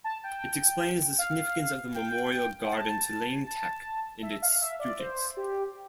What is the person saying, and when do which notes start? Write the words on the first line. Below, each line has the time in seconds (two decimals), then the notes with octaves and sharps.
It explains the significance of the Memorial Garden to Lane Tech and its students.
0.04 A5
0.24 G5
1.18 F5
1.95 G5
2.71 A5
3.46 A5
4.22 E5
4.42 F5
4.62 E5
4.80 D5
4.99 C5
5.37 G4